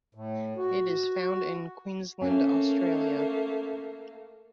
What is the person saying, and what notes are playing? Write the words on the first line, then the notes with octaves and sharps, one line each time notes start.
It is found in Queensland, Australia.
A2
F#4
A3 A#3 C#4